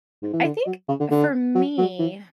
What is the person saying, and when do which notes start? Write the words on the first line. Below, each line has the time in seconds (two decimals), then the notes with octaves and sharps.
I think for me,
0.23 G#2
0.33 E3
0.44 D3
0.66 F#3
0.88 C#3
1.00 D3
1.11 D3
1.55 F#3
1.78 F#3
1.99 E3